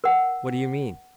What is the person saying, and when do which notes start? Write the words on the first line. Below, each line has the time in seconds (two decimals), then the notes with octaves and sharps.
"What do you mean?"
0.04 A#4 F#5